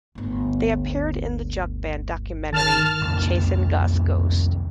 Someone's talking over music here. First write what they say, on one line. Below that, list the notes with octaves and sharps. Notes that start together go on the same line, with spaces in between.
They appeared in the jug band documentary "Chasin' Gus' Ghost".
G1 D2
D#3 A5 F6
C2 F2 C#3 A#3